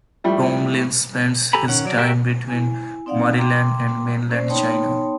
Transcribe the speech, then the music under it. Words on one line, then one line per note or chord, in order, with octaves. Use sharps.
Tony Lin spends his time between Maryland and mainland China.
A2 F3 G3 A3
G4 A4 G#5 A#5 B5
D#3 C#4 F#5
F#3 D5
F#4 G4 A#4 E5 G5
E4 G#5
C4 D#4 D5 F5 F#5
G5 A#5 C6 D6
A#3 C#4 C5 D5
B3 D#4 C#5 G5 A5 C6